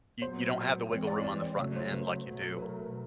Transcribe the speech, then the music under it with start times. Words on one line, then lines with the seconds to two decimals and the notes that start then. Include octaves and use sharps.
y you don't have the wiggle room on the front end, like you do,
0.21 A#2 F#3 B3 C5
0.90 E3 G#3 C4 C#5
1.07 D5
1.24 D5
1.42 D5
1.59 C#3 F#3 A3 C#5
1.76 C5
1.94 B4
2.28 B2 F#3 A3
2.57 B4
2.62 A#4